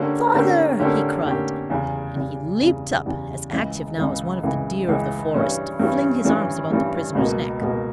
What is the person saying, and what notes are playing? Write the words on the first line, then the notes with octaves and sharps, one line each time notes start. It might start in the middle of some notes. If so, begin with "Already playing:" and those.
"Father!" he cried; and he leaped up, as active now as one of the deer of the forest, to fling his arms about the prisoner's neck.
Already playing: D3 A#3 C#4 G4
D3 A#3 C#4 G4
D3 A#3 C#4 G4
D3 A#3 C#4 G4
E2 C#3 G3
E2 C#3 G3
E2 C#3 G3
E2 C#3 G3
C#2 C#3 E3
C#2 C#3 E3
C#2 C#3 E3
C#2 C#3 E3
G2 E3 G3 C#4
G2 E3 G3 C#4
G2 E3 G3 C#4
G2 E3 G3 C#4
C#2 B2 A#3
C#2 B2 A#3